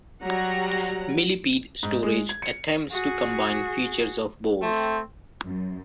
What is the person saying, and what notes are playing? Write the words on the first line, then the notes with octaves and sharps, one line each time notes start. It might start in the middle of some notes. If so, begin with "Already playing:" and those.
Millipede storage attempts to combine features of both.
F#3 G3 F#5 A#5
G#2
G#3
G#6
C#7
F#4 G#4
A3 C4
F#2